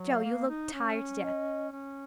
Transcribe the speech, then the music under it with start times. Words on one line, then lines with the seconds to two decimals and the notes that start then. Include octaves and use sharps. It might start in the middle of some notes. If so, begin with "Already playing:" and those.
Jo, you look tired to death.
Already playing: F#3
0.09 F5
0.25 A#3
0.49 D#4
0.73 C#4
1.23 D#5
1.72 C#4